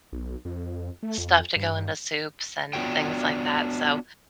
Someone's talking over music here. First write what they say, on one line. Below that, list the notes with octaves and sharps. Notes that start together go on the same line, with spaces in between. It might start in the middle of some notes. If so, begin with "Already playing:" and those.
stuff to go into soups and things like that, so
B1
F2
A3
F2
G2
B3 D4 F4 F#4 C#5 G5